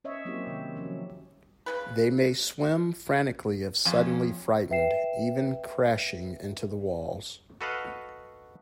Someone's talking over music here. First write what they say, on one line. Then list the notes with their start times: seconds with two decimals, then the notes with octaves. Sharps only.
They may swim frantically if suddenly frightened, even crashing into the walls.
0.04 C#4 C#5 D#5 E5
0.25 F#3 A#3 C4 C#4 E4 G4
0.47 C3 D#3
0.76 F3 F#3 C#4
1.66 C#3 G3 B4
3.85 F2 C#3 C#4
4.70 B4 E5 G5 C7 E7
7.61 F#4 A4 B4 D#5 F5 F#5